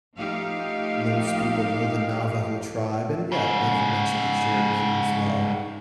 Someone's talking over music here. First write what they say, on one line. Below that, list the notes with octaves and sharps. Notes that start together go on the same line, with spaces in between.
most people know the Navajo tribe, and, uh, yeah, like you mentioned, the Cherokee as well,
F3 A3 D#4 G4 F5
G#2 C#3